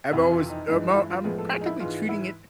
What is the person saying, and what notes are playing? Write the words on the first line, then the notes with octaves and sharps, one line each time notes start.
I'm always I'm all I'm practically treating it
F2 C3 E3 E4
F4
D#4
G2 E3 G#3 D#4
D#4
F4
E4
F4
A2 F3 G#3 B3 G#4
A4
G#4
D#4
E4
G#2 E3 G#3 F4
E4